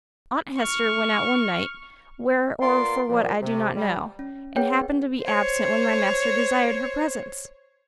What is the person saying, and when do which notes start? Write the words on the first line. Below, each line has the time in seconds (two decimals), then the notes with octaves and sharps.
Aunt Hester went out one night,--where or for what I do not know,--and happened to be absent when my master desired her presence.
0.60 C#6 F6
2.61 A#3 B3 F4 A#4 D5 C6
3.09 A#2 F3
3.42 C3
3.76 G3
4.19 C#4
4.56 G#4 B4 C#5 F#5 G5
4.73 B3 C4 G#4
5.21 C5 C#5